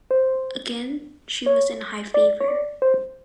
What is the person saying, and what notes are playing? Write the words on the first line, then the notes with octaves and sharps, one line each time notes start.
Again she was in high favour.
C5
C#5
D5
C#5
D5
C5